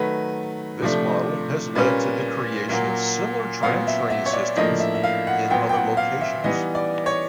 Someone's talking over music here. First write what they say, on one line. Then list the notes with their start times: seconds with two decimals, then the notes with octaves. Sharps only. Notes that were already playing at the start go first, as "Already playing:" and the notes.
This model has led to the creation of similar tram-train systems in other locations.
Already playing: D#3 F#3 A3 B4
0.82 C3 F3 A3 D4
1.75 A#2 G3 A#3 C#4 B4
2.69 A#2 F#3 A#3
3.63 A#2 F#3 B3 F5
3.87 E5
4.10 E5
4.26 C#5
4.33 D5
4.56 A2 F3 A#3 D4 D#5
4.80 E5
4.95 E5
5.03 F5
5.27 F#5
5.50 A#2 F#3 B3 G5
5.69 G5
5.74 F#5
5.97 F5
6.21 E5
6.44 E3 G3 B3 D#4 D#5
6.75 D5
7.06 C#5